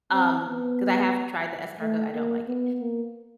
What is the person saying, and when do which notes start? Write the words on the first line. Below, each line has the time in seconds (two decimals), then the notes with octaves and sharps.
Um, 'cause I have tried the escargot I don't like it.
0.12 C4
0.46 B3
1.80 A3
2.13 A#3
2.47 B3
2.80 A#3